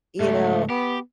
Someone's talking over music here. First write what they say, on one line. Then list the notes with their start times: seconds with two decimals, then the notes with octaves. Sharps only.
you know,
0.20 C#2 G#2 A3
0.70 B3 G4